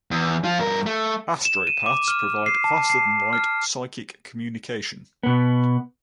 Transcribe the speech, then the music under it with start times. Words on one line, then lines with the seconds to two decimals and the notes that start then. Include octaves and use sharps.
Astropaths provide faster-than-light psychic communication.
0.11 E2
0.44 F3 F4
0.59 G2 A#4
0.86 A3
1.45 E7
1.67 D#7
1.86 D6
2.08 F6
2.46 C7
2.64 A5
2.90 C7
3.33 F6
5.23 B2 B3